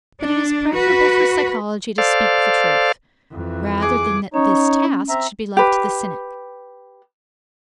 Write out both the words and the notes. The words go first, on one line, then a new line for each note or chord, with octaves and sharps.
But it is preferable for psychology to speak the truth, rather than that this task should be left to the cynic.
D4
F#4 B4
A4 C5 D5 F5
F2 E3
G#4 D6
C#4 D#4 C#5
C4 E5 A#5
G4 B4